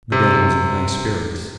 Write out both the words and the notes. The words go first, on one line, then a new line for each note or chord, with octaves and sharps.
Madame was in high spirits.
C3